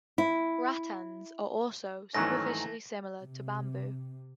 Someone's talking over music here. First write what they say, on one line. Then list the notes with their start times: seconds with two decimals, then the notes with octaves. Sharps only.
Rattans are also superficially similar to bamboo.
0.18 E4
2.14 G#2 D#3 E3 F#3 A3 C#4 A#6
3.19 C3